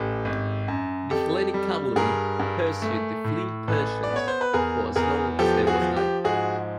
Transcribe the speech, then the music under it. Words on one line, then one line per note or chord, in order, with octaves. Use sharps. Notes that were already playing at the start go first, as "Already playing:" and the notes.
The Hellenic cavalry pursued the fleeing Persians for as long as there was light.
Already playing: A1 G4 A4
G#1
F#2
F2 G4 A4
G3
G2 G#4 A#4
G2
A3
A2
A1 A4 B4
D5
B3
C#5
C5
B4
E2 G#4 A#4
E2 G#4 A#4
F3 G4 A4
F#4 G#4
F3
G4
G#2 F#4 G#4